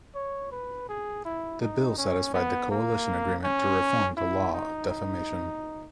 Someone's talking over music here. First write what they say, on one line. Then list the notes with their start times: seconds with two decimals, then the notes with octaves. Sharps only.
The bill satisfied the coalition agreement to reform the law of defamation.
0.15 C#5
0.52 B4
0.89 G#4
1.25 E4
1.61 D#4
1.98 C#4
2.34 B3
2.71 A#3
3.44 C#4
4.17 E4
4.54 D#4
4.90 D#4